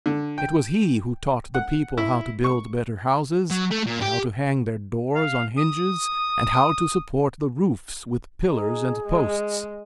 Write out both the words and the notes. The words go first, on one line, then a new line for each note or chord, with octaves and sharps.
It was he who taught the people how to build better houses and how to hang their doors on hinges and how to support the roofs with pillars and posts.
D3
G5
F#5
E4
C#6
F#3
A3
A#2
G4
F5
D#6
D#4 G#4
G#3